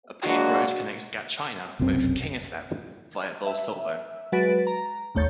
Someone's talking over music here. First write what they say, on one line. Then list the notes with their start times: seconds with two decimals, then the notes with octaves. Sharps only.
A paved road connects Gatchina with Kingisepp via Volosovo.
0.24 F#3 G#3 A#3 D4 F#4
1.79 F1 B1 F#2 C4
3.46 E5
4.32 F#3 G#3 F#4 B4 A6 D7
4.67 A#5
5.15 G#1 D#2 A3 C#5 G6 A6